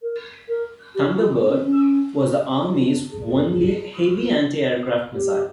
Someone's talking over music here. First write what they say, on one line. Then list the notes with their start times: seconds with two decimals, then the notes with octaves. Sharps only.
Thunderbird was the Army's only heavy anti-aircraft missile.
0.02 A#4
0.48 A#4
0.95 G4
1.19 F4
1.42 D#4
1.49 C#4
1.56 C4
1.64 C#4
2.80 F4
3.12 G#4
3.27 G#4
3.37 A#4
3.44 G#4
3.58 G#4
3.73 G#4
3.97 F4
5.13 G4